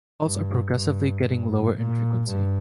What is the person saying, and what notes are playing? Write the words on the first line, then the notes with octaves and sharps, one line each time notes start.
Calls are progressively getting lower in frequency.
G2
G2
G2
A#2
G2